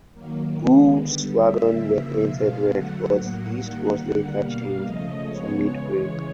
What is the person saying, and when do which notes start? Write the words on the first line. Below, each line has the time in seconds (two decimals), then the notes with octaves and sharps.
Goods wagons were painted red but this was later changed to mid-grey.
0.13 D#3 F#3 A#3
0.56 D#3 G#3 B3
0.98 D3 G3 B3
1.40 D3 G3 A#3 E5
1.83 C#3 F3 A#3
2.26 B2 G#3 B3 F5
2.68 D3 F#3 A3 F#5
3.12 A2 F#3 A#3
3.54 D#3 G3 A#3
3.97 D3 G3 A#3 F#5
4.39 B2 G3 A#3 F5
4.82 C#3 F3 A3 D#5
5.25 C#3 F3 G#3 B3 C#5
5.67 C#3 E3 G#3